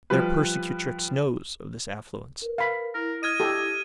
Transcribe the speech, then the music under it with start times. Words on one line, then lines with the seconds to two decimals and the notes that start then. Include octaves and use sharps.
Their persecutrix knows of this affluence.
0.10 F3 G3 B4
2.42 A#4 B4
2.58 F5 B5
2.95 E4 A#4
3.23 D#5 F6 G#6 D#7
3.40 G4 A4